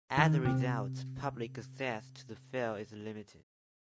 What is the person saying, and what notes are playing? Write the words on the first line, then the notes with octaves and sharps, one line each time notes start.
As a result, public access to the fell is limited.
D#3
C3